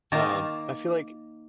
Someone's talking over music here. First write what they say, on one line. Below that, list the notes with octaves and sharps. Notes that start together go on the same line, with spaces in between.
Um, I feel like
D#3 A#3 A#4 A5